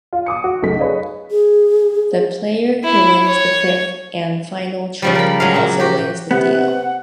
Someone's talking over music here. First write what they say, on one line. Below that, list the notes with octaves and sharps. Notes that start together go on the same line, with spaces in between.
The player who wins the fifth and final trick also wins the deal.
F4
D6 D#6 C#7
F#4
B1 C#3 A3 B6
G#4 B4 C#5 D#5 F5
G#4
E4
C#5
C#3 F3 G3
A#4 B5
F#3 G#3 F5
A#2 E5
F#4 G4
C3 B3 F#5